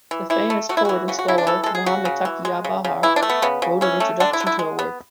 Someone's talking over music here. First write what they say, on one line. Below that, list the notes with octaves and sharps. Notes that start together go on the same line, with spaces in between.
The famous poet and scholar Mohammad Taqi Bahar wrote an introduction to her work.
E3
E3 E4
A3
A3 F#4
E4
E3 F#4
C#3 F#4
F#4
C#3 E4
D4
E3 A4
G#3 A4
G#4
C#3 F#4
C#3
E3
G#3
C#3
C#3
E3 E4
D4
A3
B3
C#3 B3
C#3
E3 C#4
A3
D3 D4
E4
D3
E4
G#3
B3